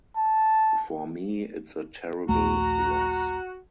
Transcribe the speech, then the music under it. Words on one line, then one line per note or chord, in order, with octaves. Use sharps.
For me, it's a terrible loss.
A5
A#1 D#2 A3 F#4 A#5